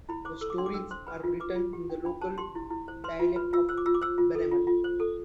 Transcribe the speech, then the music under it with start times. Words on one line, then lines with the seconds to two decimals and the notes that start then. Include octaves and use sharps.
The stories are written in the local dialect of Bremen.
0.09 E4 B5
0.25 C5 D6
0.41 A4 E6
0.50 D6
0.58 D4 C6
0.66 D6
0.74 D4 E6
0.91 C5 C6
1.07 B4 B5
1.23 F4
1.40 B4 D6
1.56 F4
1.73 G4
1.90 D4
2.05 D4 B5
2.21 C5 A5
2.38 G4 C6
2.55 E4
2.71 E4
2.88 C5
3.04 B4 C6
3.20 F4
3.36 B4 B5
3.53 F4 E6
3.69 C5 E6
3.77 D6
3.86 F4 E6
3.94 D6
4.02 C5 E6
4.18 F4
4.35 A4
4.51 F4
4.67 F4
4.84 C5
5.00 A4